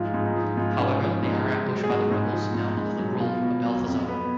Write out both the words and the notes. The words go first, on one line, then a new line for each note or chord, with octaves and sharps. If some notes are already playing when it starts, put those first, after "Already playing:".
However, they are ambushed by the rebels, now under the rule of Balthazar.
Already playing: G#2 F3 F4
G#2
D#4
F3
G#2 F4
C#4
F3
G#2
G#2
F#3
G#4
G#2 F#4
G#2
F3
G#2
G#2
F#3
B2 F4
B2
F#3
F2
B3